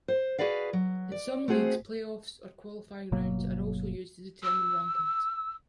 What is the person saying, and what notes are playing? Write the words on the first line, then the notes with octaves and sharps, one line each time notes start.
In some leagues, playoffs or qualifying rounds are also used to determine rankings.
C5
F#4 G#4 B4 D5 F5
F#3
D5
A3 C4 F#4 G#4 C5
G1 B2 F#3 A#3
E6